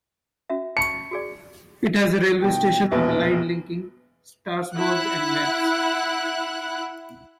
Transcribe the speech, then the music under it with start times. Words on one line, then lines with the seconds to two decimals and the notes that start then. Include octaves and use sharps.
It has a railway station on the line linking Strasbourg and Metz.
0.50 C#4 F#4 E5
0.77 A5 B5 C#6 C#7
1.11 F#4 G#4 D5
2.42 B2 D#3 G5
2.91 E1 A#1 B2 B4
4.75 E4 F#5 F#6